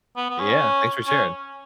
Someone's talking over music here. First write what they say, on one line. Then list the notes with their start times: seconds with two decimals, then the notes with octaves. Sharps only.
Yeah, thanks for sharing.
0.17 B3
0.30 B3
0.40 C#4
1.08 C#4